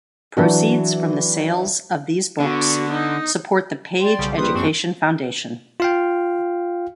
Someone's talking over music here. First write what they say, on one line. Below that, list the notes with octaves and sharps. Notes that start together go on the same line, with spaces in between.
Proceeds from the sales of these books support the Page Education Foundation.
E3 F#3 D4 F#4
D3 B3 F#4
D#4
D5 G5 C6
B1 C#3 G3
A#1 G3 G4 B4 C6 D#6
F#2 C4 D4 C#6
F4 F5 G5